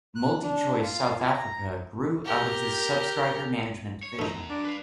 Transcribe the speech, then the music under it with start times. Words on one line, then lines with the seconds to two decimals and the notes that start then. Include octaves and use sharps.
MultiChoice South Africa grew out of this subscriber management division.
0.16 F#6
0.43 D4
0.82 F4
1.19 G#5
1.34 A#5
2.25 G4 A#4
4.03 C#5
4.19 F#2 A3 D#4 A#5
4.50 D4
4.65 B4 F5